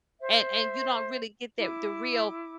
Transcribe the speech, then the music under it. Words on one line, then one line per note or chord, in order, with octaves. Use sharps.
and and you don't really get that the real
C5 E5
E4 D6